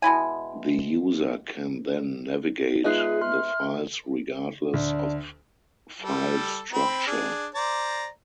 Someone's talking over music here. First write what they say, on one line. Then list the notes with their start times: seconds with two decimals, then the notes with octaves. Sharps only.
The user can then navigate the files regardless of file structure.
0.02 B2 G#3 E4 G#5
2.84 G#3 B3 D#4 F4 G#4 E5 F#6 C7
3.22 C6 F6
4.74 D2 D4
6.01 G3 A4
6.72 C4 B5
7.07 D4 G#4
7.55 C5 D5 A#5